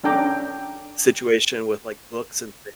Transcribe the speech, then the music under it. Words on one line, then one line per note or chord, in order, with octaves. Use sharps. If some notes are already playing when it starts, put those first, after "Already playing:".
situation with, like, books and things,
C#4 D4 A4 G5 A#5 D6